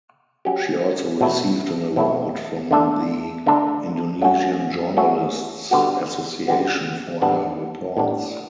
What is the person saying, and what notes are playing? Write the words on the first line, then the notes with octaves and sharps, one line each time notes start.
She also received an award from the Indonesian Journalists Association for her reports.
F#3 C#4 G4
B2 F#3 A3 E4
B2 F#3 A3 E4
D3 A3 D4 A4
D3 A3 D4 A4
F#3 A3 C#4 F#4
F#3 A3 C#4 F#4
D3 G3 B3 F#4
D3 G3 B3 F#4
A2 G3 B3 D4
A2 G3 B3 D4